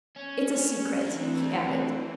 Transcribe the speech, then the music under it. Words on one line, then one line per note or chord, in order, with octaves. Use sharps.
"It's a secret," he added.
C#4
E3 A3 C4 D4